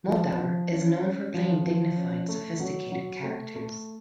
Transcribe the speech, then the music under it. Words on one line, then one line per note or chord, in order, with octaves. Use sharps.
Muldaur is known for playing "dignified, sophisticated characters".
F3
F3
C#4
C#4
F3
F3
C#4
A3
F#3
F#3
A3
A3